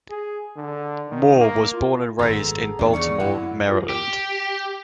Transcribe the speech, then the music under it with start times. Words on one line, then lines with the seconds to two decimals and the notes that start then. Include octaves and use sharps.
Moore was born and raised in Baltimore, Maryland.
0.10 G#4
0.56 D3
1.09 D#3
1.41 A#3
1.73 F4
2.19 G#1 F#2 A2 B3 G#4 A4 A#5 C6
2.79 E2 B2 D#3 D4
2.93 C#3 G3 B3 D#4 C#6
3.20 F#2 D3 F#3 E4 F#5
3.66 A#2 F3 D#4 G#4 A#4
3.89 G4